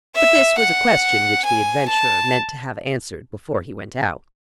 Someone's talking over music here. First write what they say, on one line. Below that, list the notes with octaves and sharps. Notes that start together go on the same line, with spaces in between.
But this was a question which the adventurer meant to have answered before he went out....
E5
F#5
G#5
A5